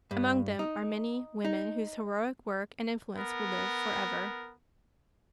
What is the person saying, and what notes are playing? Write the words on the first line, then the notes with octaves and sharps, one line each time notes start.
Among them are many women whose heroic work and influence will live forever.
G2
D#4
D#4
B3 A#4